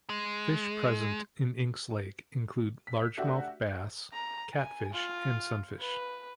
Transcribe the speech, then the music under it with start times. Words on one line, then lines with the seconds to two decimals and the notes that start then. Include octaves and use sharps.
Fish present in Inks Lake include largemouth bass, catfish, and sunfish.
0.10 G#3
2.87 B6
3.17 A3 D4 F#4 G4 E5
4.13 A#5
4.55 G#5
4.93 F4
5.81 B4